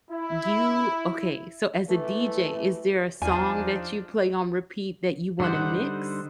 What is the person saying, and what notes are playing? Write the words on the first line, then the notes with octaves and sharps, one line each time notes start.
You okay, so as a DJ, is there a song that you play on repeat that you wanna mix?
E4
E3 A3
E2 F3 D4 D#4 F4 G#5
D3 G3 D#4 C5 F#5